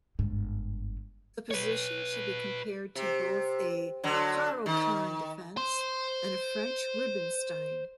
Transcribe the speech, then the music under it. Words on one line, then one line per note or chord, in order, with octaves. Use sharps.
The position should be compared to both a Caro-Kann Defense and a French Rubinstein.
G1 G#2
B4 C#5
C3
D3 F#3
D#3
C5 C6